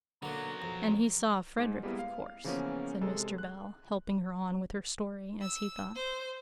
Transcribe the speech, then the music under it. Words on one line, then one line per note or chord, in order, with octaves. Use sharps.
'And he saw Frederick of course,' said Mr. Bell, helping her on with her story, as he thought.
D3 F#3 A#3 B3 A#5
F2
G#2
G3 G#3 A#3 B3 E4
F5
C#3 E3 F3 A#3 B3 C#4
C3 G#3 A4
F#6
E6
C5